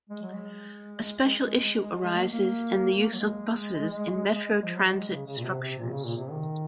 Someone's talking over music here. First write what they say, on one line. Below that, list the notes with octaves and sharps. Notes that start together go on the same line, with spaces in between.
A special issue arises in the use of buses in metro transit structures.
G#3
F#3
G#3
A#3
A#3
F#3
G#3
F3
F#3
G#3
C#3
C#3
A#2
C3
C3
A#2
C#3
A#2
C3
D#3